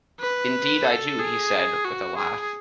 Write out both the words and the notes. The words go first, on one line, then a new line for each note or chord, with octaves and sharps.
"Indeed I do," he said, with a laugh.
B4
A4
G#4
F#4
G#4